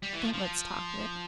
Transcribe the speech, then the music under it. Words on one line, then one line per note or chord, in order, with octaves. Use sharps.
Don't let's talk of it.
G3
E3
F3
F3